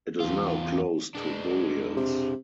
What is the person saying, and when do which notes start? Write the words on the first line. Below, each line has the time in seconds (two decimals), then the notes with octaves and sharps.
It is now closed to burials.
0.20 E2 F4
1.15 G#3 D4
1.96 C3